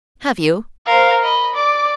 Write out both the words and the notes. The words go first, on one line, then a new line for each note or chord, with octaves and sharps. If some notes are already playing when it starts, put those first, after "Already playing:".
"Have you?"
A#4 C5 F5
D#5 B5
D5 D6